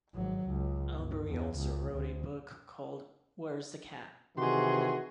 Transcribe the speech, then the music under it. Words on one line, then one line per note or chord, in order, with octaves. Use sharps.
Albery also wrote a book called Where's the Cat?
G#1 F#3
C#2
G1
E2
C#2
D2
C3 D#3 E3 F#4 G#4 C6